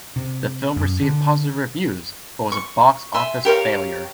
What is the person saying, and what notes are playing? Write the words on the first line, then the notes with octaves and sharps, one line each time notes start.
The film received positive reviews but was a box office failure.
C3
F#2
D3
C#6
E5 G#5 C6
G4 A#4 C#5 F5